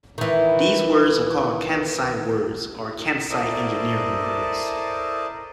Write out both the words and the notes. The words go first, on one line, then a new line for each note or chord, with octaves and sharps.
These words are called "Kansei words" or "Kansei Engineering words".
D#3 E3
E4 A4 A#4 C5 D5 D#5